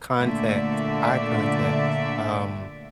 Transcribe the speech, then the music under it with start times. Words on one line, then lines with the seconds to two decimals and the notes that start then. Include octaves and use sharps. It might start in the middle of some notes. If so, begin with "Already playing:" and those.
contacts eye contacts, um
0.20 A#2 D3 A3 D5 E5